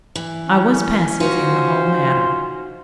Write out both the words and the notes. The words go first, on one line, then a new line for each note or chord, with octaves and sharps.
I was passive in the whole matter.
E3
C#4
D#4 F4 F#4 C5